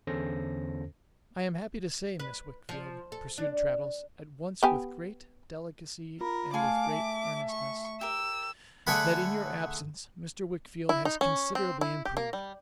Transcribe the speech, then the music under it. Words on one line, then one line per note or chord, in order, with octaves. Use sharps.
'I am happy to say, Miss Wickfield,' pursued Traddles, at once with great delicacy and with great earnestness, 'that in your absence Mr. Wickfield has considerably improved.
E2 D3 C#4 A4 C5 A#6
B4
F3
A4
D4
B3 G4 G#5
F4 A#4 B5
A3 G#4 F5 G#5 A5 C6 D6
E5
C#6
G4 A#4 E6
D3 A3 G#4 F#5 B5
E4
D#4
C#4
C4
E4
G4
A#3
G3